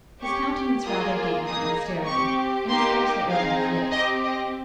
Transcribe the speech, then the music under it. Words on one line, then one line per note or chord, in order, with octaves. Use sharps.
His countenance rather gained in austerity; and he scarcely opened his lips.
C#4 G4 C#6
A#3 F4 G#4 D#6
A#3 D#4 G#4 D#6
C4 G4 C#6
A#3 D#4 G4 C6
C4 D#4 G#4 F5
C4 G4 D#5
D#5